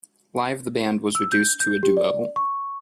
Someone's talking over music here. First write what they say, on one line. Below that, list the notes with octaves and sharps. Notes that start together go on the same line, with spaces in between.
Live the band was reduced to a duo.
E6
G6
G6
G4
D5
C#6